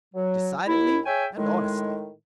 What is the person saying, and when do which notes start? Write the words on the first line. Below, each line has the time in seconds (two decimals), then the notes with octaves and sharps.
"Decidedly and honestly."
0.15 F#3
0.68 D#2 E4
1.06 G#4 C#5 E5 G5 G#5
1.36 A2 D#3 G#3